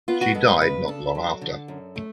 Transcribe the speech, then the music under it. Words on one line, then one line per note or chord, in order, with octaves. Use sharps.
She died not long after.
B3 F4
F#4
G#3 A4
B4
C#3 B4
D4 A4
F#3
D3
F#2
A3